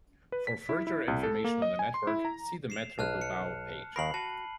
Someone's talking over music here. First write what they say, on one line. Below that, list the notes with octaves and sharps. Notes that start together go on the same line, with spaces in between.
For further information on the network, see the Metro Bilbao page.
B4
B6
E4
E4
C2
A4
A#3
D#5
G#5
C6
E4
A#5
C7 E7 F7
B1 A5 F6 F#6
C#7
D#2 D#3 A#4 B5 C7 F#7
F#4 A5